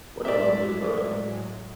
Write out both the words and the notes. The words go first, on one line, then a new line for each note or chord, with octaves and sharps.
What a lovely photo.
A2 F#3 G#3 D5 E5